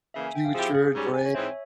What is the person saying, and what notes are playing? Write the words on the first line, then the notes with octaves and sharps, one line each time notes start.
Future, Drake.
C#3 E3 A#3 E5
G#5
G5
F5
F3 C4 E4 G4 G#4
G#4
G#2 G3 C#4
G#5
C#5
G#2 E3 G#3 C4 E5